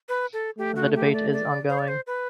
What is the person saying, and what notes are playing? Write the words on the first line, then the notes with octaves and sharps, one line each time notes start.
The debate is ongoing.
B4
A4
A3 G4
F#4
G4
D5
D5
C5
D5
C5
B4